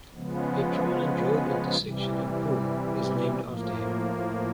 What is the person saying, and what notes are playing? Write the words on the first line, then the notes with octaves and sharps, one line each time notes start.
A prominent road intersection in Pune is named after him.
C#3 F3 G#3 B3
C3 E3 G3
A2 F3 A#3